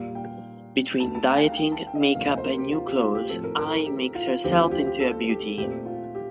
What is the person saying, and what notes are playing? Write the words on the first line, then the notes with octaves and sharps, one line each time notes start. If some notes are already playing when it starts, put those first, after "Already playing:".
Between dieting, makeup and new clothes, Ai makes herself into a beauty.
Already playing: A#2 G3 A#3 F5
G5
D2 D3 A3 A5
A5
G5
F5
G5
A5
G5
D#5
F5
D2 C3 F3 A#3 F5
D#5
C5
A#4
G4
F4
G4
F4
G4
A2 F3 C4 A4
A#4
A#4
A#4
G4
F4
D2 D3 F3 C4 G4
F4
G4
G4
A4
G4
A#2 A3 C4 G4
F4
G4